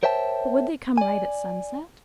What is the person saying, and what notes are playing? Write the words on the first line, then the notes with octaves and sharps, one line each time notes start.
'But would they come right at sunset?'
A#4 C5 C#5 E5 G5 A5
D5 G#5